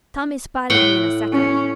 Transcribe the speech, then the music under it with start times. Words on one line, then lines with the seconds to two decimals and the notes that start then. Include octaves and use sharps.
'Tommy spotted me in a second.
0.70 A2 F#5 G5
1.32 C#4